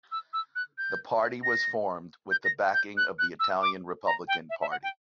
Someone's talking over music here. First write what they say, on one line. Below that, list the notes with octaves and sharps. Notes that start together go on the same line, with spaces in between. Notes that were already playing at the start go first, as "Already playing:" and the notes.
The party was formed with the backing of the Italian Republican Party.
E6
E6
F#6
G6
A#6
G6
A#6
G6
F#6
F#6
E6
D6
A#5
G5
E5
E5
F#5
G5